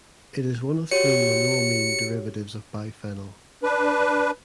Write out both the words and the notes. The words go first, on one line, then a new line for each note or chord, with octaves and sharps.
It is one of three monoamine derivatives of biphenyl.
F#4 G4 C#5 C#7
D4 B4